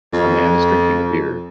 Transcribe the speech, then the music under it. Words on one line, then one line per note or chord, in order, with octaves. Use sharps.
A man is drinking a beer.
F2